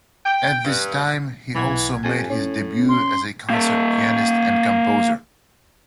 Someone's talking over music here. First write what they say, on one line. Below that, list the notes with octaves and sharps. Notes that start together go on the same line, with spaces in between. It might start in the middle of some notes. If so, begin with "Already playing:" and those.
At this time, he also made his debut as a concert pianist and composer.
G5
G2
B1 E3 F#5 G#6
F2 G4 G#5
A2 C#4
C6
A#3 E5